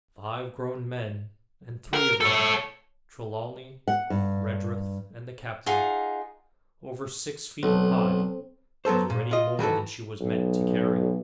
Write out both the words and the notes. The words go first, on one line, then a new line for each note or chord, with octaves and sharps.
Five grown men, and three of them--Trelawney, Redruth, and the captain--over six feet high, was already more than she was meant to carry.
A#4
A4 C#5
F#5
G2
D#4 F4 G#4 F#5
B1 C4 A4
C4
F#3 B3 A4 C5
A#2
F4 D#5
D#3 E3 F#4 A4
B1